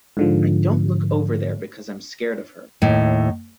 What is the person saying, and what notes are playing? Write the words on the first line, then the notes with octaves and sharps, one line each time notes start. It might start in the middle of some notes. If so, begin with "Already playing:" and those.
I don't look over there because I'm scared of her.
G#2 D3 F3
D#2 A2